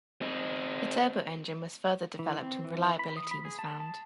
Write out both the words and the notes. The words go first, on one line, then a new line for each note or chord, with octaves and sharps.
The turbo engine was further developed and reliability was found.
C4 D#4
E3
C4
E3
B5
D#6
B5
G#4
A5
A5